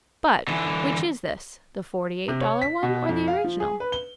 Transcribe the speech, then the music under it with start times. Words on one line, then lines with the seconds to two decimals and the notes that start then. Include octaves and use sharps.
"But--which is this, the forty-eight-dollar one or the original?"
0.47 D3 E3
2.28 C3
2.41 C#5
2.62 B6
2.83 B2
3.09 F2
3.28 F5
3.44 F3
3.60 G#4
3.80 B4
3.92 G7